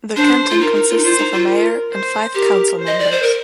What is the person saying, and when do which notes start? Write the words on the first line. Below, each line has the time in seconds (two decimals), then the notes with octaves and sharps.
The Canton consists of a mayor and five council members.
0.16 D4 C5
0.50 F4
0.60 D#4 A#4
0.75 D#4
0.90 F4
0.98 D#4
1.04 F4 C5
1.18 D#4
1.33 F4
1.47 A#4
1.92 C5
2.35 G4 A#4
2.79 C5
2.87 D#5
2.99 D5
3.11 C5
3.23 A#4